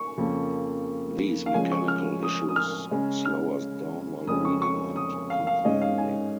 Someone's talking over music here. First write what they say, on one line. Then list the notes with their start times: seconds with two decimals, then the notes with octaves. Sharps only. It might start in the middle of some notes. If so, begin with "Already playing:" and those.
These mechanical issues slow us down while reading and comprehending.
Already playing: C#6
0.18 F2 C#3 F3 A#3
1.46 F5
1.54 C#3 F3 G#3 C#4 G#5
1.72 C#6
1.88 F6
2.23 D#6
2.49 D#6
2.56 F6
2.91 C#3 G#3 C#4
3.25 F6
4.27 F2 C#3 G#3 C#4 D#6
4.45 C#6
4.62 C#6
4.96 D#6
5.30 F5
5.47 F5
5.65 G#2 G#3 C#4 D#5
5.81 F5
5.98 G#5